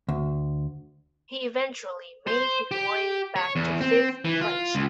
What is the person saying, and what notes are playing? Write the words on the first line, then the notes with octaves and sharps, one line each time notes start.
He eventually made his way back to fifth place.
D2
C5
G4
C#5
E2
C4
E3
F4
C#2